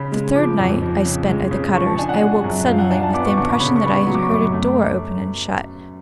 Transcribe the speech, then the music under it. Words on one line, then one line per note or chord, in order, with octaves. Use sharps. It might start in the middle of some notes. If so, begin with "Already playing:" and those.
The third night I spent at the Cutters', I awoke suddenly with the impression that I had heard a door open and shut.
Already playing: C#3 B5
G#3
F3 D6
F2
F3
C#3
G#3
C#3
F3 C#6
A5
D4 G#5
F#5
G#3
F#2
F3 F5
F#5
D4 G#5
A5
B3 D6
C#6
D3 D6
C#6
C#3 B5
C#6
B3 B5
C#6
F#3
D6
C#6
F#2 D6
A3